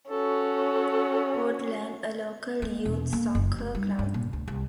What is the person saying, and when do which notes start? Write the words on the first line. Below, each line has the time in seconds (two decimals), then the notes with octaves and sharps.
Portland, a local youth soccer club.
0.10 C#4 F#4 A4
2.62 A#3
2.85 E1
3.13 A#3
3.35 F#1
3.58 A3
3.75 G3
3.99 G2
4.14 A#2
4.33 D2
4.48 C2